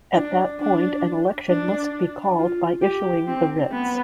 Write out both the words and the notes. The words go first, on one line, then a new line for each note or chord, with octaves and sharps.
At that point, an election must be called by issuing the writs.
D4
D4
D4
F4
G4
C4
B3